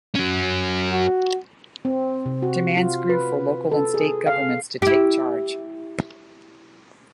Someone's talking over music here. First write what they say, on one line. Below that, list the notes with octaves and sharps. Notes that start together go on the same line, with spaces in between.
Demands grew for local and state government to take charge.
F#3 C#4
F#4
C4
C3
F#4
F4
B4
A4
G#4
F5
E4 G4